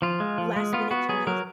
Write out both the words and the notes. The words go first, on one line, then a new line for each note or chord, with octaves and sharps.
last minute changes,
F3 F4
G#3
F3
G#3
B3 F4
B3 F#4
F#3 G#4
F#3 A#4